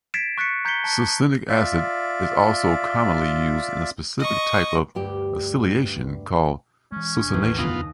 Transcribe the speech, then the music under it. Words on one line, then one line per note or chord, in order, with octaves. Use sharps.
Succinic acid is also commonly used in a specific type of acylation called "succination".
G#6 A6 B6 C7 D7 E7
C#6 F#6 A6 B6 C#7
A#5 G6 G#6 B6 C#7 G7
A5
F4 D5 E5
D#5 C#6
D2 G2 G4 D5
E3 G#3 C#4
E1 D4 G#4
A1 D#2 A3
F2 C#3 B3 D4 F4 D#6 A#6